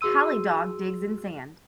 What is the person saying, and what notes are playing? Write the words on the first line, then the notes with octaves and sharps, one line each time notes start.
Collie dog digs in sand.
F#4 G#4 C6 E6 D#7